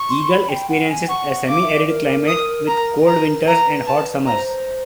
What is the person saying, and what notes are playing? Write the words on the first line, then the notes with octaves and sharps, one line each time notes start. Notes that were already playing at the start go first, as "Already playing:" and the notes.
Eagle experiences a semi-arid climate with cold winters and hot summers.
Already playing: C#6
C6
B5
G5
F#5
G#5
F#5 C#6
F5 D6
E5
D5
A#4
D#6
A#5
B4 A#5
A#4
B4 C5 A#5
A5
C#5 A#5
C5